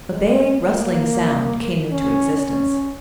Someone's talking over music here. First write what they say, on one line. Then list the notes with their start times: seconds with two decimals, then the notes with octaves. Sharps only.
A vague rustling sound came into existence.
0.11 G#3
0.56 A#3
1.91 C#4
2.38 C#4